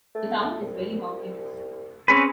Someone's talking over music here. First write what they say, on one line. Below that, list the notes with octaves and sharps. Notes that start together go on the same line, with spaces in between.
The town is very mountainous.
A3
C2
C4 C#4 G#4 B4